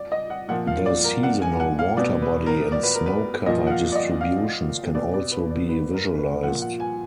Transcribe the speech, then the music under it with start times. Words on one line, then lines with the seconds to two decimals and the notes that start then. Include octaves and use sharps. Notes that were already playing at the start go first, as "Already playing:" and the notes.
The seasonal water body and snow cover distributions can also be visualised.
Already playing: D5
0.12 D#5
0.30 F#5
0.48 A#2 F3 F#5
0.67 F5
0.86 D5
1.04 A#4
1.23 F#5
1.42 G#5
1.60 F#5
1.79 F5
1.97 B2 D5
2.22 B4
2.46 A#4
2.72 D5
2.83 B4
2.95 A#4
3.06 B4
3.46 A#2 F3 D#5
3.67 F#5
3.71 F5
3.92 D5
3.95 D#5
4.21 F5
4.95 B2 D5
5.14 D5
5.32 B4
5.50 D5
5.69 B4
5.94 A#4
6.19 B4
6.43 A#2 F3 F#5
6.62 F#5
6.80 G#5